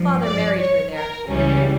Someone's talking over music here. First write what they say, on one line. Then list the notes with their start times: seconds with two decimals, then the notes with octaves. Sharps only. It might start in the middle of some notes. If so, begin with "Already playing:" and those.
Father married her there.
Already playing: G2 F3
0.23 D5
0.59 C#5
0.94 A#4
1.29 C#2 C#3 E3 G3 C#4